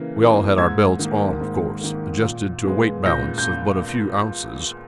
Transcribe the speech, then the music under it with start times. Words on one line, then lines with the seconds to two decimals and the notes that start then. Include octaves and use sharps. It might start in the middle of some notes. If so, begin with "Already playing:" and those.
We all had our belts on, of course, adjusted to a weight balance of but a few ounces.
Already playing: C#3 E3 A#3
0.16 E3 A#3
0.58 G#2 E6 G#6
0.99 D#3 A#3
1.41 G#2
1.81 D#3 A#3
2.23 A#2
2.64 G#3 B3
3.05 A#2 G6 A#6
3.38 G6